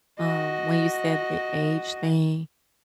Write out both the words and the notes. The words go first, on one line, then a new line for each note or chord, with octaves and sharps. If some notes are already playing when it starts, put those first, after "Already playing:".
um, when you said the age thing
F#4 D#5